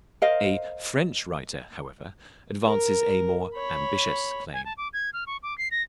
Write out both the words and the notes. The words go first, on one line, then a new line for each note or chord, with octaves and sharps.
A French writer, however, advances a more ambitious claim.
A#4 C5 D#5 F5
A#4
C#5 B5
G#5
A5
D6
G#6
F6
C#6
D6
C7
A#6